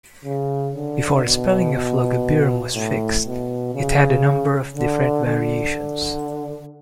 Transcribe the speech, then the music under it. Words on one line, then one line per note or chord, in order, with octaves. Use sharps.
Before the spelling of Logabirum was fixed, it had a number of different variations.
C#3
D3
B2
B2
A2
B2
C#3
D3
D3